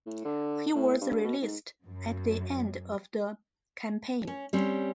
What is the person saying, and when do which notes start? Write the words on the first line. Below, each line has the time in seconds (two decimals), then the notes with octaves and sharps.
He was released at the end of the campaign.
0.06 A2
0.25 D3
0.75 A2
1.01 G2
1.24 B2
1.42 G#2
1.85 F#2
4.27 C#4
4.53 G3 C4 C#4